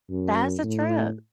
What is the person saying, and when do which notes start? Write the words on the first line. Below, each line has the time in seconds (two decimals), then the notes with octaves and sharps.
That's a trip.
0.10 F#2
0.64 A2